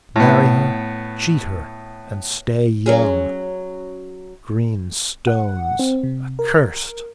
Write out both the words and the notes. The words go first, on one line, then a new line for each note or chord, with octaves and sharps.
Marry her, cheat her, and stay young. Green stones, accursed.
A2 B3
F#3 C#4 G#4
F#5
C4
C3
A#4